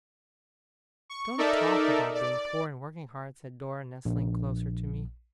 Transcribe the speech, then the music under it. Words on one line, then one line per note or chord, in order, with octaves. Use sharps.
'Don't talk about being poor, and working hard!' said Dora, nestling closer to me.
C#6
D#4 A4 A#4 D5 E5
D5
A#1